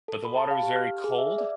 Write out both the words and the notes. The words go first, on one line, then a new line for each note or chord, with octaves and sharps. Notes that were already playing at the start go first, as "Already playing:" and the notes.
but the water was very cold,
A4
B5
A5
F5
G4
F6
G#4
E5
D5